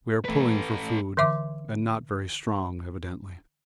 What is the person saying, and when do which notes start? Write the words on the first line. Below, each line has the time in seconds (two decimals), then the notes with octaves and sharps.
We are pulling for food and not very strong evidently.
0.25 A3 B4
1.17 D3 E3 E5 D6